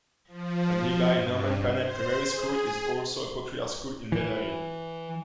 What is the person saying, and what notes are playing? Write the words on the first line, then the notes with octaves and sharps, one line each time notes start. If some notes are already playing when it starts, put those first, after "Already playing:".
The nearby Norman Pannell Primary School is also a popular school in Netherley.
F3
G2
C5
G#4
E3